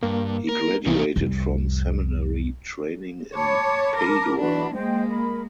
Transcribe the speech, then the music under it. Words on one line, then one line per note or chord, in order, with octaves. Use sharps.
He graduated from seminary training in Padua.
G2 A#3
A#4
C2 E3 A#3 C#4 D#4
C2 F2
C#5 A5 B5 D6
A#4
E3 D4 F#4 B4 B5
G#3 A#3 C5 D#5 G5
A#4 B5